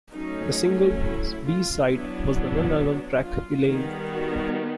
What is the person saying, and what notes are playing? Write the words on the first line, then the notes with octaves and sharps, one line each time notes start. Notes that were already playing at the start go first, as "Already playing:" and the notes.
The single's B-side was the non-album track "Elaine".
F#3 A3 C#4 D#4
E4
F4
F#3 B3 D4 E4
E4
F4
D#3 G3 B3 G#4
F#4